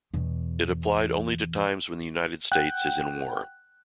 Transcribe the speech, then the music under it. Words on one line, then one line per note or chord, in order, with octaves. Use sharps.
It applied only to times when the United States is in war.
E2 B2
F#5 G5 F#6